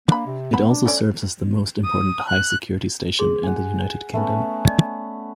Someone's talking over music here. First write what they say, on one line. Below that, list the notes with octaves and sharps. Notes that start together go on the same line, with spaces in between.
It also serves as the most important high-security station in the United Kingdom.
A#3 D4 B5
C3
B3 B5
D4
A3 C#4 D5
D#6
F#6
G#4 C6
F#5 G#5
A3 B3 C#4
D5 D#5